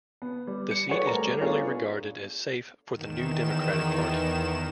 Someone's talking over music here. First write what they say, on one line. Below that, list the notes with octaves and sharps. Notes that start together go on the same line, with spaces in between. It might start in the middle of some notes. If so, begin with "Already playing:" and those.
The seat is generally regarded as safe for the New Democratic Party.
B3
G3
C#7
F#4 G#4 A4 B4 C#5 D5
G3 A3 A#4 A#5
B3 D4 F4 G#4 A4 C#5
E2 D#3 E7